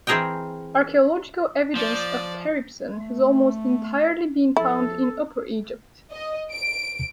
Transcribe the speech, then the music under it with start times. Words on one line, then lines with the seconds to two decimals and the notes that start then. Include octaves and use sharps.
Archaeological evidence of Peribsen has almost entirely been found in Upper Egypt.
0.07 E3 C4 G#4 A#4 D#5 G5
1.76 F3 D5
2.93 A3
4.57 F3 E4 A4
6.10 D#5
6.50 D7